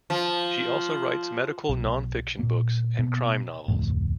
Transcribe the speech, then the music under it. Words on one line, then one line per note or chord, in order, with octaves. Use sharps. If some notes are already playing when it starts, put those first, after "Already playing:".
She also writes medical nonfiction books and crime novels.
F3
B1
A#2 A#3
B2
D1 F2 A2